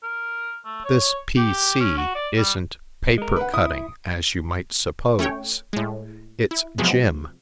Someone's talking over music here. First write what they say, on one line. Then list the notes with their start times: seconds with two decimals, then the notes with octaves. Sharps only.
This P.C. isn't paper cutting as you might suppose; it's gym.
0.03 A#4
0.65 A3
0.85 C#5
1.37 G4
1.80 C#4
1.97 F#4
2.15 D5
2.37 G3
3.18 G#3 A#4
3.36 B4 F#5
3.54 E4 D#6
5.19 A3 C#4 C#5 G5
5.73 A2 G#3
6.51 E4
6.78 C3 F3 F#3 G#3 B3